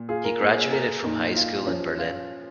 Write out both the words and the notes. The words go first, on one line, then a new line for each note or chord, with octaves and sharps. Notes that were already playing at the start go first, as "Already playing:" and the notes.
He graduated from high school in Berlin.
Already playing: A#2
F4 G#4
A#4
A#3 G#4
A#4
A#2 D#4
F4
F3 C#4
F4